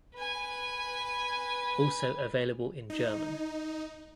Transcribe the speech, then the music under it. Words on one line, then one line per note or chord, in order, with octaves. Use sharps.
Also available in German.
B4 G#5
D#4